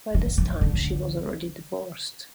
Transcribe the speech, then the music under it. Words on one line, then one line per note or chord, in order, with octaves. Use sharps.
By this time she was already divorced.
D3
E3
D3